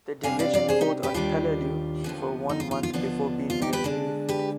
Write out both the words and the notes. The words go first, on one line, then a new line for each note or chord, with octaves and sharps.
The division fought on Peleliu for one month before being relieved.
C3 G3 B3 D4 F5 G#5
D5 F5
D5 F5
G#4 C5
D#4 G4
G4 B4
D#2 D#3 G3 D4 F4
D#2 D3 F3 B3
D#4
F4
F4
F4
D#2 D3 F3 B3 D4 F4
F4
D#4 G4
G4 B4
D3 G#3 D4
G4 B4